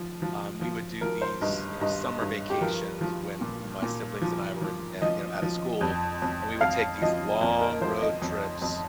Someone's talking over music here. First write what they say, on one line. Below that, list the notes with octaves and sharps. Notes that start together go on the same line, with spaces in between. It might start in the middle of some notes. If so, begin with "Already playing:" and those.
um, we would do these, you know, summer vacations when m my siblings and I were in, yeah, you know, outta school, and we would take these long road trips,
Already playing: F3
F3
F3
F3 A#4
C5
G2 D#5
G2 D#5
G2
G4
F3 A#4
F3
A#2
A#2
F3
F3
F3 D#5
F3
F2
F2
F2 F5
F3 D#5
F2 A#4
A#4
F3 C5
D#5
F2
F2